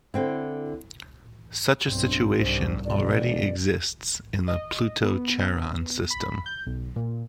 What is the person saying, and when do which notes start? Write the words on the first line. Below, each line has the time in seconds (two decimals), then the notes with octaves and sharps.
Such a situation already exists in the Pluto-Charon system.
0.14 D3 C4 E4
1.87 B1 G2 C4
2.39 C2 G#2 G3 C5
2.85 E1 B2 D5
4.48 D#5
5.03 B3
6.11 B5
6.46 G6
6.67 B1
6.96 A#2